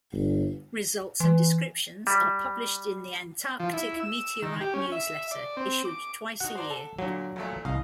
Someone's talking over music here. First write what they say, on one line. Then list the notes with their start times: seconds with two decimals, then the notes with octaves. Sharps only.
Results and descriptions are published in the Antarctic Meteorite Newsletter, issued twice a year.
0.12 G1
1.20 E3
2.07 G3
3.60 F3
3.73 E4
4.00 E6
4.42 D#3
4.61 G4
4.74 C#4
4.92 E5
5.31 D5
5.57 C4
5.85 D6
6.40 D#4 F#4 F#5
6.55 C5 D5 A#5
6.70 A4
6.99 A#2 D3 F#3
7.36 A#1 A#2 A3
7.65 C2 D#5 F5